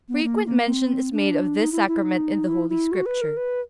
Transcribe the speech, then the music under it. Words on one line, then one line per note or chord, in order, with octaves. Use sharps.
Frequent mention is made of this Sacrament in the Holy Scripture.
B3
A#3
A#3
C4
D4
D#4
E4
E4
D#4
E4
E4
F#4
B4
A#4
B4